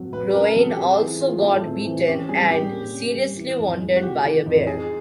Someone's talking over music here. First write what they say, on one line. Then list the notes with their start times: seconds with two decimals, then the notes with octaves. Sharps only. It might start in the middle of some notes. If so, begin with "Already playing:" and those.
Groanin also got beaten, and seriously wounded, by a bear.
Already playing: F#3
0.12 A3 B4
0.30 B4
0.34 C#4 A#4
0.55 F#3 A4
0.69 G4
0.77 C4 G#4
0.99 E3
1.21 F4
1.42 A3
1.64 C4
1.85 E3
2.07 C#4 G4
2.29 G3 G#4
2.43 G#4
2.50 G3 G4
2.72 A#3
2.94 C#4
3.15 G3
3.37 E3
3.59 F2
3.80 G#3
3.96 F#4
4.02 C3 G4
4.24 E3
4.46 F2
4.67 D#4 G#4